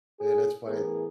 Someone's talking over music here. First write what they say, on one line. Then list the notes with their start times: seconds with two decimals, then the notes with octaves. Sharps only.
hey, that's funny
0.20 G#4
0.67 A2 E3 B3 G#4 A#4